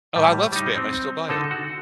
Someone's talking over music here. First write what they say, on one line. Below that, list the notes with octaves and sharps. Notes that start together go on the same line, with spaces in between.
Oh, I love Spam. I still buy it.
A2 G3
G3 D#4
C4
D3 D#4 A4
F#4